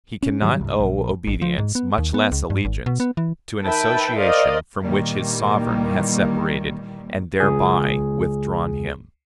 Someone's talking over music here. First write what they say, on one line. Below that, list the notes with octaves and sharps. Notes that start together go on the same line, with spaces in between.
He can not owe obedience--much less allegiance--to an association from which his sovereign has separated, and thereby withdrawn him.
C#4
G#2 D#3 F#3 G3
C2 G2
A#1
A1
F3
G#2
B3
D#2
B3
C#2
G2
G#1
B2
B3
E3
D#3 B4 E5 G5 A5
A#4 C5 D5 D#5 F5
A#2 D#3 E3 G3 A#3
C#2 G#4